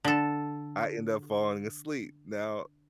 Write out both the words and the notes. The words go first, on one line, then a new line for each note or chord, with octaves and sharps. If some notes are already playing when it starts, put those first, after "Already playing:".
I end up falling asleep. Now,
D3 A4